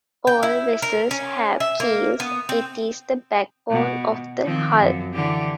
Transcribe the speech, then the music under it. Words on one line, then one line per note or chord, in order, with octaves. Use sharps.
All vessels have keels, it is the backbone of the hull.
G5
E4
A#4
C#4
E5
A#3
B3
C4
B2
D#3 F3 C4
F#2
D3 E3 G4